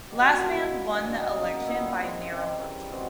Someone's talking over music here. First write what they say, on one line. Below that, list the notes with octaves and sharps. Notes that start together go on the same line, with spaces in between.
Lastman won the election by narrow margin.
B2 F#3 A#3 C#4 G4
F#4
F4
D#3 F#3 A#3 E4
G2 E3 G#3
B2 G#3 C#4 D4
D#4
F#2 C#3 F#3 A#3
D#4
A#2 G3 B3 E4
C3 E3 G#3 C#4
C3 D#3 G3
C#3 E3 G3
C3 E3 G#3 C4 F#4